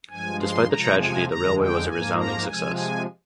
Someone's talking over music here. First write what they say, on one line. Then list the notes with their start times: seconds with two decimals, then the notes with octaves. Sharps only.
Despite the tragedy the railway was a resounding success.
0.10 G2 F3 G#3 G#5
0.41 C6
0.69 C3 F3 G#3 A#5
0.99 G#5
1.28 F2 D3 G#3 A#5
1.59 G5
1.87 G#2 F3 A#3 G#5
2.17 A#5
2.46 C3 F3 G#3 G#5
2.76 G#5